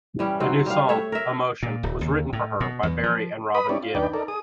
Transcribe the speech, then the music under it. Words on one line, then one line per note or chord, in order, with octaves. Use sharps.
A new song, "Emotion", was written for her by Barry and Robin Gibb.
E3 G3 C#4
G#2 F#3 C4
G3 F5
A3 C#5 E5
A#4 E5
A#2
D1
D#2
A2
B2
E2
F3
B4 B5 D#6
C4 D4 E4 G4 C#5 D5
F4
D#2 D4 D#4 B4 D5 G5
D#4 A4 A#4 D5
G#4 D#6